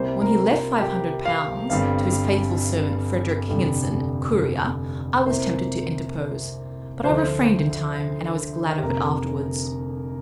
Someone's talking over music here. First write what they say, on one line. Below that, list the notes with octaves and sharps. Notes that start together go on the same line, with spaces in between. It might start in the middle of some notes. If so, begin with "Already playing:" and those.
When he left Five Hundred Pounds to his faithful servant Frederic Higginson, courier, I was tempted to interpose; but I refrained in time, and I was glad of it afterwards.
Already playing: C2 C3 G3 A#3 C5
A#4
F4
G4
F5
G1 G2 G3 C4 F5
F1 F2 D3 G3
C2 C3 A#3 C5
D2 D3 F3 C5
G4
F1 F2 D3 A#3 A#4